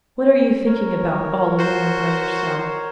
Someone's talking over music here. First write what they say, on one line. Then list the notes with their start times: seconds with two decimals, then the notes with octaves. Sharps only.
What are you thinking about all alone by yourself?
0.66 A#4 C#5
1.59 F#4 C5